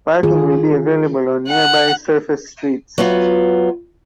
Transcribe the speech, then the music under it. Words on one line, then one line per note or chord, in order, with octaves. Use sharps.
Parking will be available on nearby surface streets.
D#3 F4 G#4
F#5
F#3 B3 F4